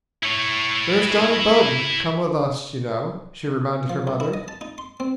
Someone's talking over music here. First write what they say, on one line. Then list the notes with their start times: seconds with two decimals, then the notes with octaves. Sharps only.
"There's Johnny Bowden come with us, you know," she reminded her mother.
0.23 E4 C#5
3.90 F3
4.07 C2
4.20 E4
4.34 D#5
4.48 A5
4.61 D#4
4.78 C6
5.00 C4